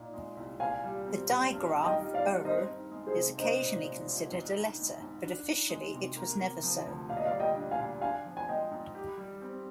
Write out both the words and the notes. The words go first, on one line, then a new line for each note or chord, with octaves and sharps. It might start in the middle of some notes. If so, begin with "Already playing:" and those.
The digraph "rr" is occasionally considered a letter, but officially it was never so.
Already playing: A#2 D#4
G#3
C2
A#2 F5 G#5
G3
C4
A#2
G2
D#3
D#5 G5
G3
D5 F5
G2
C4 C5 D#5
D#3
G#3
G#4 C5
C3
D4 C5 D#5
A#2
G#3
A#1
G#2
D#3
G#3
G#2
D4
D#3
G#3
C3
A#3
C3
F3
D2
A#2 F5
D#5
D5 F5
G3
D#5 G5
D4
F5 G#5
A#2
D4 F5 G#5
F3
G#5
G#3 D#5 G5
G#2
G4
G3
C4